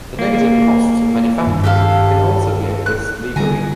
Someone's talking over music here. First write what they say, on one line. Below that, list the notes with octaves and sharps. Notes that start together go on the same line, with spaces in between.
The negative costs of manufacturing can also be addressed legally.
A#3
G2 D#3 D4
G4 A4 F5
F#6
D3 G3 B3 G#5 A#5